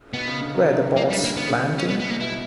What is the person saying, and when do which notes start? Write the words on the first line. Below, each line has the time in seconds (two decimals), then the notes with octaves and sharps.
Were the boats landing?
0.13 B2 B3
0.27 C#3
0.42 D3
0.55 F#3
0.75 E3
0.96 E3 A#3
1.08 C#3 G3
1.17 D3
1.24 A#3
1.37 C#3 B3
1.59 B2
1.79 C#4
1.89 B3
2.00 B3
2.10 A#3
2.20 B2 E4